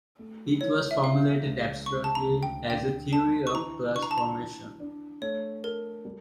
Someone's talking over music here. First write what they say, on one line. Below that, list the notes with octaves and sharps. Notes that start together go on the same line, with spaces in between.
It was formulated abstractly as a theory of class formations.
A3
E3 C#5
E5
C#3 F5
C#2
C#3 C#6
A5
A#5
D2
G5
D3 G5
D4 A5
C#6
E3 A#5
D4 C#6
A#5
A5
A#5
E3
D4
A3 C#5
A4 A#4
G3